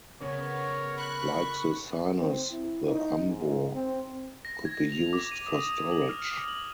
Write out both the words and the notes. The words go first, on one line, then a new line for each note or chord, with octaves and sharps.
Like the "sinus", the "umbo" could be used for storage.
C#3 B3 A#4 C#5
B5 C#6 F#6
C4
E4
D#4
G#2
C4
A#6
G#6
F7
D6
D#7
D#6
E7
F#7
F6
D#6
F#7